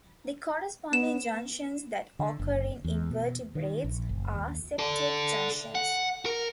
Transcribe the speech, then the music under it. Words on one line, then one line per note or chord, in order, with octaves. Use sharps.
The corresponding junctions that occur in invertebrates are septate junctions.
B3 E7
D3
F#1
E2
B2
D#3
A#1
F#1
D#2
A4 D5
F#5
A#4